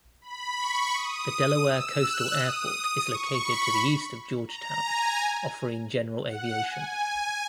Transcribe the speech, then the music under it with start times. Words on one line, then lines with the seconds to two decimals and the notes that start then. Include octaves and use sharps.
The Delaware Coastal Airport is located to the east of Georgetown, offering general aviation.
0.22 B5
0.58 C#6
0.93 D#6
1.64 E6
1.99 F#6
2.35 D#6
2.71 D#6
3.06 C#6
3.42 B5
4.47 A#5
4.84 G#5
6.25 F#5
6.61 G#5
6.96 G#5